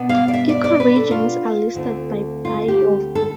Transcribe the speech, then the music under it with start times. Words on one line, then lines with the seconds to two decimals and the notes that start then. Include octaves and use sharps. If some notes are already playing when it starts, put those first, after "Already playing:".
Ecoregions are listed by biome.
Already playing: B2 B3 D4
0.09 F5
0.28 D5
0.33 E5
0.49 D5
0.64 D5
0.80 B4
0.96 A4
1.11 F4
1.74 D2 D3 A3 C4
2.45 F4
2.68 G4
3.15 A4